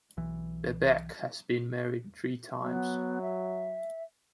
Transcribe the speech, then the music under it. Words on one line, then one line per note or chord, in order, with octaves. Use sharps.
Bebek has been married three times.
B1 E3
F#3 B3
E5